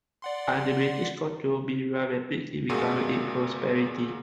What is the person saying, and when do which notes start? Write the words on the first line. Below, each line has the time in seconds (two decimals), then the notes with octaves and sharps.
Under British control Berar rapidly recovered its prosperity.
0.22 D5 F#5 C6
2.69 F#2 A#2 A3 F#4 G#4 D#7